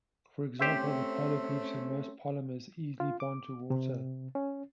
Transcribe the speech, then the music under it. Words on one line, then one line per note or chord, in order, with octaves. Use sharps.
For example, the polar groups in most polymers easily bond to water.
A3 C4 C#4 G4 C5 E5
F4
D6
C3
C#4